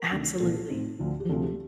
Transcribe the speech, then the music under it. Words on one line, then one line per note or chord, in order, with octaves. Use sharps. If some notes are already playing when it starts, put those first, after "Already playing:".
Absolutely. Mhm.
Already playing: A#4
D2 C3 D#3 A3 D4
C2 A#2 F3 A4
A2 A3 C4 D#4
D2 D3 F3
G4
D2 C3 F3 A4
G4